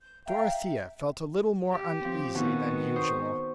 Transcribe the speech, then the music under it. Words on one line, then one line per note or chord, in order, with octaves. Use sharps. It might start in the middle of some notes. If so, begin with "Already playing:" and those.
Dorothea felt a little more uneasy than usual.
G6
E5 F5 G5 A#5
E5
G4
F3 C4
B2 D#3 B3 F#4
C5 C#6 D#6